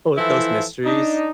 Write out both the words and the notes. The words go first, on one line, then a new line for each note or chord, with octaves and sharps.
all those mysteries.
E3 F3 E4 A4 C5
D4 D#4